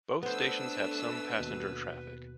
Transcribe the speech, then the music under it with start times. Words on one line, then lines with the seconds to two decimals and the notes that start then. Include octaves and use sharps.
Both stations have some passenger traffic.
0.23 A3 B3 D4 B4 C5 E6
1.39 D#2 B2